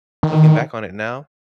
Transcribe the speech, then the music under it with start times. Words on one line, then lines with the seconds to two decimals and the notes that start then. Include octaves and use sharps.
looking back on it now
0.23 D#3